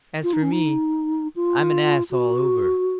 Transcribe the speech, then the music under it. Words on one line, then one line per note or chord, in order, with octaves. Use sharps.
As for me, I'm an ass all over.
F4
D#4
C#4
D#4
F4
F#4